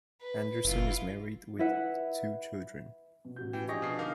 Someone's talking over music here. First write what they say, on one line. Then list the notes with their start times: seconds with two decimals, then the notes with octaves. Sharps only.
Andersson is married with two children.
0.22 B4
0.65 F#1 E4 F4
1.59 E4 B4 E5 F#5
3.25 B2
3.36 A1 F#4 G6
3.53 E3 G5
3.68 F3 D4 G4 G#4 D#5 C#6 A#6
3.82 B2 C7
3.99 D3 D#4 A#4 F5 D6